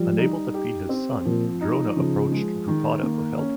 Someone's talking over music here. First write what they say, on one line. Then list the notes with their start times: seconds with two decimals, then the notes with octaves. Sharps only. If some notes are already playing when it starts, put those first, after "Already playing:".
Unable to feed his son, Drona approached Drupada for help.
Already playing: F3 G3
0.18 D#4
0.54 G4
0.89 C4
1.25 A#2 F3
1.61 D#4
1.96 C#3 F3
2.31 G#3
2.68 D#3
3.03 A#3
3.38 C#4